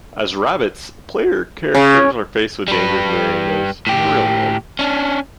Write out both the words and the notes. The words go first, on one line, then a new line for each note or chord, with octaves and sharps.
As rabbits, player characters are faced with dangers mirroring those in the real world.
C#3
G3 B4
A2 G4
C#4 D4